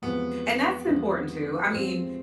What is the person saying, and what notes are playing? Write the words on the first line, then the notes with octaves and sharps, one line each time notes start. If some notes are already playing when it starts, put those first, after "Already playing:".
And that's important too, I mean,
E2 C3 F3 G#3 B3
E2 C3 F3 G#3
E2 C3 F3 G#3 C4